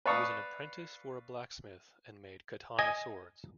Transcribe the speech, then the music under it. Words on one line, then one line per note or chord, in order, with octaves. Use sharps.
He was an apprentice for a blacksmith and made katana swords.
B4 D5 F5 A5 C#6 D#6
D#5 G#5